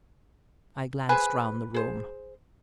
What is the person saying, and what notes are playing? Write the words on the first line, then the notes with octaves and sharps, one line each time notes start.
I glanced round the room.
G#4 B4 C5 G#5
G#4 C5